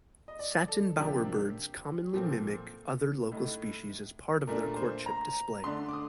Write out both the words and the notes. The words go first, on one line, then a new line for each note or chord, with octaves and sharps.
Satin bowerbirds commonly mimic other local species as part of their courtship display.
D#5
D5
A4
C3 F3 A#3 D4 G4
A#2 F3 C4 A4
A2 A3 D#4
A#2 A3 D4 A#4
C5
A#5
D3 A3 D4 C6
D6
D#6